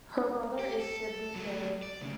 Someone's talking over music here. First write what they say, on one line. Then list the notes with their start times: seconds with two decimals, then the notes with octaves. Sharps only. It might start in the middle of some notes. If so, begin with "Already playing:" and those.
Her brother is Sid Lucero.
0.59 G4
0.80 A4
1.35 F#3 A3
1.82 D5
2.01 D2 C#3